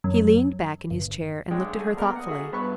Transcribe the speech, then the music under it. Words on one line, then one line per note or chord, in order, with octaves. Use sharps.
He leaned back in his chair and looked at her thoughtfully.
F#2
G1
B1 G#3 D4 G5
A3 G#4
A#3 B3 A#4 D5
F#5 D#6
F#4 G#4 A4 E5
G2 B3 B4 B5 C#6